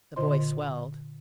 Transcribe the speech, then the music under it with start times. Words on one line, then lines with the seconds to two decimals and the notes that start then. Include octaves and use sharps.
The boy swelled.
0.16 A#2 D3 F4 C5 D#5 C6